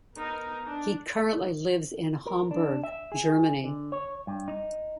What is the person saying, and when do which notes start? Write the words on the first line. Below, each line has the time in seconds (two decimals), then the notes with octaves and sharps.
He currently lives in Hamburg, Germany.
0.16 B3 D#4 A#4
0.66 D4
2.26 A#4
2.51 D4
2.84 E5
3.12 G#4
3.64 D3
3.92 C#5
4.27 G2
4.48 D#4